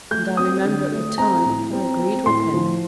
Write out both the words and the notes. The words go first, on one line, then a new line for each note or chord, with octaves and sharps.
And I remember at the time I agreed with him.'
A3 G6
C4 D#6
D3
A3
C4 A#5
A2
C4
C4
A2 C6
F3